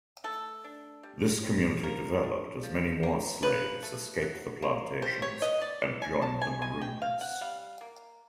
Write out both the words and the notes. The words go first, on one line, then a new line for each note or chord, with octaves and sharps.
This community developed as many more slaves escaped the plantations and joined the Maroons.
A3 A4
D4
G3
C4
A#3 A#4
D4
F3
A#3
F3 B4
A3
F#3
A#3
G3 C5
C#5
B3 D#5
D5
E3
G#5
G#3 A5
G#5
G#3 G#5
G5
C4 F5
F#5
G3 F5
A#3